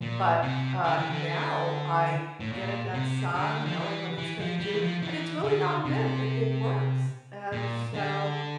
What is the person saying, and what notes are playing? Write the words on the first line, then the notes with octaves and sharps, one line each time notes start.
but, uh, now I get in that sun knowing what it's gonna do, and it's really not a myth, it it works, and so
A#2
C3
D3
E3
D3
A2
A#2
C3
D3
F3
E3
E3
F3
G3
E3
F3
E3
D3
C3
A#2
D3